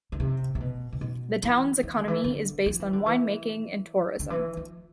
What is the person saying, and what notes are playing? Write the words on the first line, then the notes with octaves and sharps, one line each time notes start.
The town's economy is based on wine making and tourism.
D3
C3
C3
B2
C3
B2
E3
E3
D3
E3
D3
F3
E3
D3
E3
D3
E3
F3